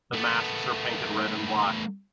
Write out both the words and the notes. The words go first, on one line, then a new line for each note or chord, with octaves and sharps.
The masks are painted red and black.
A3 B3